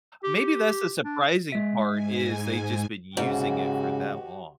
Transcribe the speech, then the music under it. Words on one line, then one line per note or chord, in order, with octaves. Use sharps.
Maybe that's the surprising part is they just been using it for that long.
G4
G4
D4
G#3 E5
G#2 G#5
G#2 C#3 F#4 G4